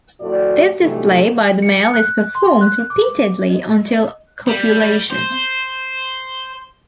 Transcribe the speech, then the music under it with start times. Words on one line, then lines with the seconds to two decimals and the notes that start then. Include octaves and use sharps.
This display by the male is performed repeatedly until copulation.
0.20 F2 A2 F#4 D5
0.80 G2 C3 D#3 E3 F#3 A3
1.62 C#7
1.94 F#6
2.35 C6
2.61 F#6
2.90 D6
3.50 D#5
3.88 D#5
4.48 G3
5.11 C5